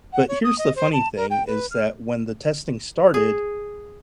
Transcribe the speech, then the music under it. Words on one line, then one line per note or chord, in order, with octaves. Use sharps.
but here's the funny thing, is that when the testing started,
F#5
C#5
D#6
D#5
C5
A5
A#4
G5
B4
F6
G#4